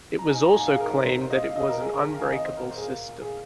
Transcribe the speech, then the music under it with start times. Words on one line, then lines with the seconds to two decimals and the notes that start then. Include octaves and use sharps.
It was also claimed that it was an unbreakable system.
0.19 A#5
0.29 D#4 G#5
0.42 A#5
0.54 A#2 G#5
0.67 F5
0.74 G#4
0.80 D#4 A#4
1.05 C3 C5
1.21 C5
1.30 F4 D#5
1.43 F5
1.55 F3 D#5
1.69 A#4
1.81 F4 G#4
1.94 A#4
2.06 D#3 A#5
2.16 F5
2.19 G#5
2.32 C4 D#5
2.45 C5
2.57 A#2 A#4
2.71 C5
2.78 G#4
2.83 F4 A#4
3.08 A#2
3.21 G#4